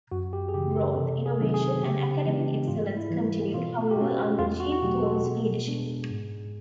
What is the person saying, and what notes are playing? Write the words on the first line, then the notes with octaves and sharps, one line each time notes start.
Growth, innovation, and academic excellence continued, however, under Gene Thorn's leadership.
F#2 F#4
G4
G#4
C#3 E3 G4
A#4
C3 A4
G#4
D#3 F#3 B3 D4
G#4
C#3 G4
E3 G#3 B3 D4
G#2 F4
E4
E3 G3
B2 F4
G4
G#3 C#4 F#4
E2 F4
F#4
F#4
B2 F#3 A3 G4
A4
B2 G#4
G#3 B3 D4
G#2